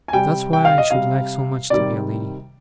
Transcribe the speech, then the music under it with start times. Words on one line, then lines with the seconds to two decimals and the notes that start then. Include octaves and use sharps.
That's why I should like so much to be a lady.
0.08 G#5
0.13 C3 G3 G5
0.53 G5
0.65 F5
0.78 D#5
0.91 C3 G3 F5
1.70 C3 D#3 G3 D5